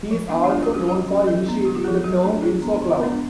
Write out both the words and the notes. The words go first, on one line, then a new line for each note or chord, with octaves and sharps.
He is also known for initiating the term "infocloud".
F3
G#3 B3 D4
D4
G#3 F4
F#4
C#4
F#4
F#3 F#4
C#4
F#3 A4
B3 D4
D3 F#4
F4
F3 G#3 G#4
A4
F#3 F#4
A3 D4
F3 G#4
B3 D4
D3
G#3 B3 D4